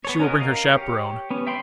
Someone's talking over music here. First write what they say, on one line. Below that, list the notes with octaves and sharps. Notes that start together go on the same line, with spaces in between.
"She will bring her chaperone."
B3 A4 C#5
C#4 F#4 A#4 D#5
A#4 D#5 F5
G4 C#5
B3 C#4
E5 G5 B5 C6